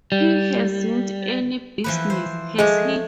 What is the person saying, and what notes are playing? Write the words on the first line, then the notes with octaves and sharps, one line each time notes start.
He hasn't any business, has he?
G3
E3 F3 B4
C5
F3 G#3 A3